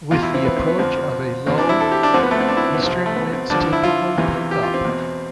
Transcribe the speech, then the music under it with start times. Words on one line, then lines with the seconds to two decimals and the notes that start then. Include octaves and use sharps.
With the approach of a low, easterly winds typically pick up.
0.11 E2 B2 F4
0.23 E4
0.34 C4
0.45 B3
0.57 C4
0.68 B3
0.79 F2 D3 F3 C4
1.47 E2 B2 C4
1.58 D4
1.69 E4
1.80 A4
1.92 G4
2.03 D4
2.14 D2 D3 F3 C4
2.23 B3
2.31 A3
2.40 C4
2.49 D4
2.57 E4
2.65 C4
2.74 B3
2.82 C2 C3 F3 C4
3.06 A3
3.16 B3
3.33 C4
3.50 G2 D3 F3 D4
3.61 D4
3.73 E4
3.84 F4
4.18 E2 C3 E3
4.51 G4
4.63 F4
4.74 C4
4.85 E2 B2